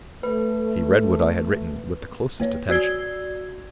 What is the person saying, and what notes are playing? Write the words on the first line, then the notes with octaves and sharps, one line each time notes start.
He read what I had written with the closest attention.
A3 B4
A#3 B4 C#5
F#4 D5 E6 G#6 C7 G7